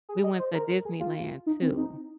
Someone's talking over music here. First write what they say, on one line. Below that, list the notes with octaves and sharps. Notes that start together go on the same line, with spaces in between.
we went to Disneyland too
G#4
D#5
C5
A#4
G#4
F4
D#4
C4
D#4